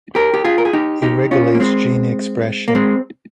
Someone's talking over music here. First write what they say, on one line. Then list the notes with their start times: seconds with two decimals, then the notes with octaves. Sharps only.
It regulates gene expression.
0.15 G4 A#4
0.34 G4
0.44 F4 G#4
0.58 A#4
0.65 G#4
0.73 D#4 G4
1.02 D#4 G4
1.31 C#4 F4
1.55 A#3
1.60 G#3 C4
2.68 A#3
2.75 G#3 C4